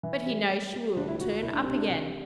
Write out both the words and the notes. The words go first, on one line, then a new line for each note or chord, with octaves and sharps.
But he knows she will turn up again.
E3
G3
G3
G3
D2 D4
E4
D2 F#4
F#4
C2 E4
D4
C3 C4
D4
C2